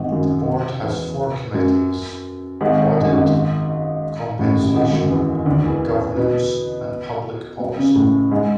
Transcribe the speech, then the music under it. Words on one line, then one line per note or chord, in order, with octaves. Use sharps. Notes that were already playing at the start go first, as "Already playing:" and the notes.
The board has four committees: Audit, Compensation, Governance, and Public Policy.
Already playing: G#1 G#2
F#2
E2
F#2
G#1 G#2
G#2
F#2
G#1 G#2
A1 A2
A1 A2
G#1 G#2
F#2
E2 E3
D2 D3
E2 E3
B2 B3
B2 B3
C#3 C#4
A2 A3
G#2 G#3